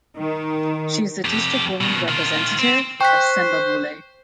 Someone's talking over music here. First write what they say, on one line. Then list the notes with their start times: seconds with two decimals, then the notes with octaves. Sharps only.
She is the district woman representative of Sembabule.
0.15 D#3
1.25 F2 G4
1.81 B2 D#3
2.08 D#3 F4
2.59 C4
3.01 C5 G5 C#6 F#6 B6